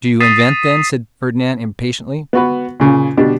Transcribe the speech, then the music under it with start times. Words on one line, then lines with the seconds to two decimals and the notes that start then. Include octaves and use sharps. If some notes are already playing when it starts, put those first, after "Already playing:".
"Do you invent, then," said Fernand impatiently.
0.21 D#6 A6 B6 C7 D#7 E7
2.33 B3 F#4 B4
2.80 A#2 C#3
3.18 B2 D4 G4